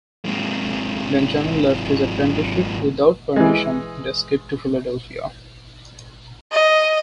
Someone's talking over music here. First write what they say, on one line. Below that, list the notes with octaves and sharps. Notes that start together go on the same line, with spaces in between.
Benjamin left his apprenticeship without permission and escaped to Philadelphia.
G#2 C3
E3 G#3
D#5